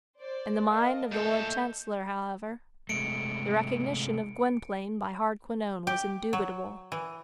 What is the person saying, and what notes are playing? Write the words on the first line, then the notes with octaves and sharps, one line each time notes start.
In the mind of the Lord Chancellor, however, the recognition of Gwynplaine by Hardquanonne was indubitable.
C5 D5
A#4 D#5 F5 A5
A#2 A3 A4 D#5 G6
C3 G#3 A3 C#7 D7
G4
F#3
E3